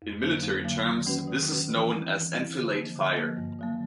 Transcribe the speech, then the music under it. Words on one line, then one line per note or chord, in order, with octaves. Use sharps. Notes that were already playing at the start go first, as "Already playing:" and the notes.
In military terms, this is known as "enfilade fire".
F2
D3 F#3 A#3
F2
D3 F#3 A#3
D#3
G#3 C#4 F#4 B4
D#3
G#3 C#4 F#4 B4
E3
G3 C4 E4
E3
G3 C4 E4
D3
F3 A#3
D3
F3 A#3
G2
D#3 F#3 A#3